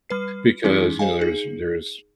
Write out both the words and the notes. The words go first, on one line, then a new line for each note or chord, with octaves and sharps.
because, you know, there is there is
G3 B4 C7
E3 G#3 C#4 D#4 E4 G#4
G#4 C5 D#5 F5 G#5
D#4 G#4